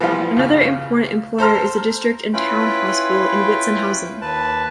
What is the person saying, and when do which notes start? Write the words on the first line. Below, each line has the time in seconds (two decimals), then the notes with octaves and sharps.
Another important employer is the district and town hospital in Witzenhausen.
0.01 E3 F3 G3 B3 F4
0.36 C#2 C#3
1.39 A4 C5 A#5 F6
2.33 C#4 E4 F4 B4 G5 B5
4.21 D#2 B4 A5